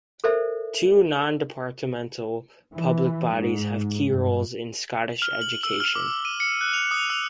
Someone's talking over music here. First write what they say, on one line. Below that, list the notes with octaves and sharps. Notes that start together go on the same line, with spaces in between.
Two non-departmental public bodies have key roles in Scottish education.
A4 A#4 C5 D5 E5
E3
G#2
G2
F6
F#7
E6
F6
D6
D#7
C#7
F#6
F7
D#6
E6